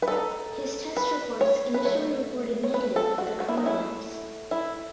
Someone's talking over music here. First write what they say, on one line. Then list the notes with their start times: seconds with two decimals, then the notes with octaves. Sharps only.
His test reports initially reported negative for the coronavirus.
0.02 B4
0.08 G#3 D#4 A4
0.97 B4
1.41 C#5
1.74 B4
1.85 F#3 A3 C#5
2.63 C#5
2.74 B4
2.96 A4
3.18 F#4
3.40 F#4
3.48 E4
3.57 D#4
3.63 F#3 A3 C#4 E4
4.51 E4